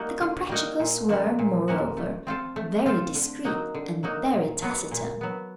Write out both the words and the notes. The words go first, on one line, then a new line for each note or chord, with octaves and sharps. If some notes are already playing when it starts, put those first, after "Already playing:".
The Comprachicos were, moreover, very discreet and very taciturn.
Already playing: G3 A#3 D#4 F#4
D3
G3 A#3 D#4 F#4
A#2
F3 A#3 C#4 F#4
A#2
F3 A#3 C#4 F#4
A3
C4 F4 A4
A3
C4 F4 A4
D3
F#3 A#3 D#4 F#4
D3
F#3 A#3 D#4 F#4
A#2
F#3 B3
A#2
F#3 B3